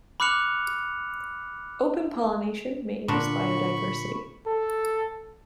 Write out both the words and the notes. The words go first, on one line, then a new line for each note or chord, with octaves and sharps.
Open pollination may increase biodiversity.
B5 D6 F6 F#6 C#7 F7
A#2 D3 D4 B5 C#6
A4